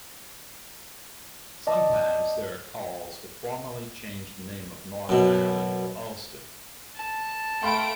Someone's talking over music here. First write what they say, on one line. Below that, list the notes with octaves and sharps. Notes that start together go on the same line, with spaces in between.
Sometimes there are calls to formally change the name of Northern Ireland to Ulster.
D5 D#5 A5
F#2 B2
A5
A3 F5 G5 B5 C6 D7